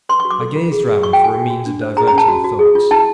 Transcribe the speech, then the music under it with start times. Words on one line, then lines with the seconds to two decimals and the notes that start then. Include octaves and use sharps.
I gazed round for a means of diverting her thoughts.
0.09 B4 C6
0.20 C#6
0.25 F#4
0.31 D6
0.41 A4
0.56 F4
0.72 G#4
0.88 G#4
1.03 F#4 C#6
1.13 G5
1.19 F#4
1.24 G#5
1.35 F#4
1.50 F#4
1.66 D4
1.81 C5
1.97 G#4 A#5
2.07 A#5
2.12 C#4
2.18 A5
2.28 F#4
2.44 F#4
2.59 G#4
2.75 F4
2.91 E4 A5